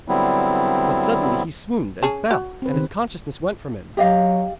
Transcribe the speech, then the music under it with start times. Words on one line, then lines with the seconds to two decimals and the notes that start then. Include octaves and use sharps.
But suddenly he swooned and fell and his consciousness went from him.
0.08 D3 F#3 G3 B3 C4 E4
2.03 C#4 G#4 A5
2.31 F#4
2.62 C4 B4
2.74 D#3 G4
3.97 F#3 G4 D#5 F5